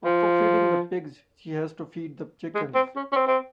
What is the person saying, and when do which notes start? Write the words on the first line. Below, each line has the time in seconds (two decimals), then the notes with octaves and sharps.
After feeding the pigs, she has to feed the chickens.
0.05 F3
2.55 G#3
2.75 C4
2.96 C#4
3.12 C#4
3.16 C4
3.27 C4